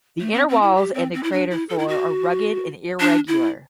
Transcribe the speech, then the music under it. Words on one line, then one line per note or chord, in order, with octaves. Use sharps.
The inner walls and the crater floor are rugged and irregular.
A3
C4
C4
E4
G4
C4
C4
E4
D4
E4
A4
E4
F#4
D4
E4